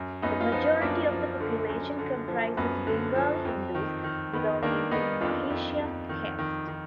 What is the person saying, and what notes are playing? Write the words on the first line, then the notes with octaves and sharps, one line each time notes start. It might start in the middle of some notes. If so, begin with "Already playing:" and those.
The majority of the population comprises Bengali Hindus belonging to Mahishya caste.
Already playing: F#2
F#2 B3 D#4
F4
F3 B3 D#4
F#2 A#3 D4
F3
D3
F#2
D3
F3
F#2 B3
D3
F3
F2
D#3
D#3
D#3 B3
D#3 A#3 D4
D#3 B3 D#4
F2 D4 F4
F2
F2
D#3
D#3
D#3